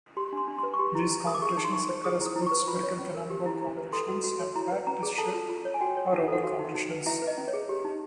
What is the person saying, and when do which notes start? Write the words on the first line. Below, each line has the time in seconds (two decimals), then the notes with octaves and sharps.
These concretions occur as both spherical cannonball concretions and flat, disk-shaped or oval concretions.
0.17 G4 C6
0.33 D4 C6
0.48 D4
0.58 B4 C6
0.74 C#6
0.79 G4 C6
0.95 E4
1.11 E4
1.26 A#4 D#6
1.35 D6
1.42 G#4 C#6
1.57 D#4
1.64 C6
1.73 D#4 C#6
1.89 C5
2.04 G#4 D#6
2.21 E4
2.26 D#6
2.36 E4
2.47 B4 C#6
2.68 F4 B5
2.83 C#5
2.99 C#4
3.15 A#4
3.30 G4
3.46 E4
3.61 E4
3.77 B4
3.93 A4 C6
4.08 F#4
4.24 F#4
4.40 C#5
4.56 E4 A#5
4.72 B4
4.87 C#4 A#5
5.03 G#4
5.18 A4 A5
5.34 F4
5.49 F4
5.65 C#5
5.74 G#5
5.81 F#4 G5
5.97 C#5
6.13 D#4
6.28 A4 F#5
6.43 F#4 F5
6.59 D#4
6.75 D#4
6.90 B4
7.06 E4 E5
7.22 B4
7.27 D#5
7.38 C#4
7.48 C#5
7.53 G#4
7.69 G4
7.85 D#4